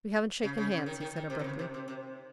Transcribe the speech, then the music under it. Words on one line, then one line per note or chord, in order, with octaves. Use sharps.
"We haven't shaken hands," he said, abruptly.
C#3
C#3
C#3
D#3
D#3
D#3
C3
D#3
C#3
C3
C3
C3